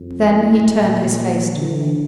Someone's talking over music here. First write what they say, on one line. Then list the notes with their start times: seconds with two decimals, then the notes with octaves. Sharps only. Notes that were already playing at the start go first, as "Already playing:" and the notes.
Then he turned his face to me.
Already playing: F2
0.30 A2
0.72 A#2
1.55 D3